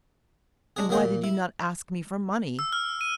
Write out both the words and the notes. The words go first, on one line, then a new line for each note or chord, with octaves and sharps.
"And why did you not ask me for money?"
G#3 D4 G#4
D#2 F#3 A#3 G#4 G5 C6
A#2
E4
E6
F6
D#7